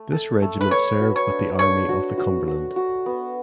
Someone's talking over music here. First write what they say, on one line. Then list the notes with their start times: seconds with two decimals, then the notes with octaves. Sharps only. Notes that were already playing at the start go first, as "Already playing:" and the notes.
This regiment served with the Army of the Cumberland.
Already playing: A3
0.12 A4
0.42 A3
0.61 B4
0.71 B4 C#5
1.00 F#4
1.16 C#5
1.30 D4
1.59 D4 C#5
1.89 F#4
2.18 F#4
2.47 F#4
2.76 F#4
3.06 B3